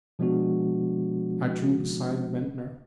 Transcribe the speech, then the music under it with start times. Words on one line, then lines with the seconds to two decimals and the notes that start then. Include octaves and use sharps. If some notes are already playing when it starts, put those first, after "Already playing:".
I drew beside Ventnor.
0.19 B2 F3 G#3 B3 D4 F#4